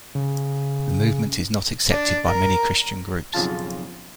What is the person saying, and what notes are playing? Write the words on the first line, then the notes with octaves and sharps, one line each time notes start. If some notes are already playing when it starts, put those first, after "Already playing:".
The movement is not accepted by many Christian groups.
C#3
D4
A#4
B1 F2 C#3 F4 A5